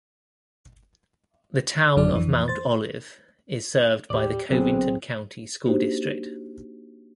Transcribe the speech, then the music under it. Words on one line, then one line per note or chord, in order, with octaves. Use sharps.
The town of Mount Olive is served by the Covington County School District.
A1 F#2 F#3 D4 D5
F2 E3
C5 A6
D#2 A2 G4 D5
C2 D3 F#3 B3 C4 G#4
A#3 D4 D#4 F#4 G4 C5